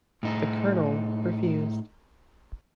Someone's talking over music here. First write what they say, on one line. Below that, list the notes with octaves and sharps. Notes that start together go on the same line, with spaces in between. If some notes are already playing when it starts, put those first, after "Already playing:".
The colonel refused.
A2 D#4